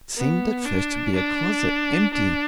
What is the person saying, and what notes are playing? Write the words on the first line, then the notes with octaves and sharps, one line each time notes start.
It seemed at first to be a closet, empty.
B3
D4
D4
D4